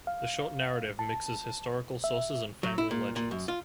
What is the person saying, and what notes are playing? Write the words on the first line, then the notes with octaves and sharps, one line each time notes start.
The short narrative mixes historical sources and family legends.
F5
A5
E5
F#3
E4
A#2
A#2
F#2
F4